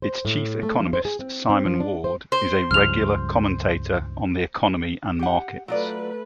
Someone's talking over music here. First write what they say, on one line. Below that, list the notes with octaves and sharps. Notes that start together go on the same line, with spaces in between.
Its Chief Economist, Simon Ward, is a regular commentator on the economy and markets.
C5
A2
A3
F3
C5
G#4
C4
C4
F3
D4
C5
C5
C#2 G2 F3 F6 F7
G4 F#5
F#3 A3 F4 B4 D5